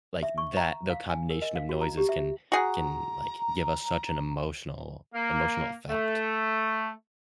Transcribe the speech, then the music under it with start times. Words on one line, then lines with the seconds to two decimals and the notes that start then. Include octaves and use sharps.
like, that the combination of noises can can, like, give us such an emotional emotional effect.
0.23 E5
0.38 C#6
0.57 A#5
0.90 F5
1.10 G#5
1.30 A#4
1.42 D#5
1.55 F5
1.69 F#4
1.81 A#5
1.97 G4
2.09 E5
2.52 F#4 G#4 A#5
5.14 A#3
5.90 A3